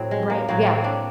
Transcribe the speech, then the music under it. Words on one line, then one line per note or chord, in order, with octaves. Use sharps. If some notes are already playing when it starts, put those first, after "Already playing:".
Right, yeah.
Already playing: A2 F#3 C4
G#3
A#3
A2 F#3 A#3
C4
D4